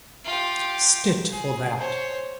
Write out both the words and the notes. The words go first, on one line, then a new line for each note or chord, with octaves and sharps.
Stitt for that.
F4 G4
G#4
C5 C#5